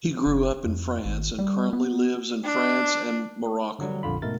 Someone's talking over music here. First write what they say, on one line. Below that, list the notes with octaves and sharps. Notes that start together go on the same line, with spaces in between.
He grew up in France and currently lives in France and Morocco.
F#1
F2
G#1
G3
B3
D4
D3 F#3 G3
A#1 F2 D3 F4 B5
G#2 B2 A3 A#4 A6